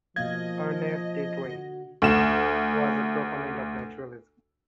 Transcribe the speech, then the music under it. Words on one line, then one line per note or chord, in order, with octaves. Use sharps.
Ernst Didring was a proponent of naturalism.
B2 F3 A#3 D#5 F5 G#6
D3 F#4
D2 E7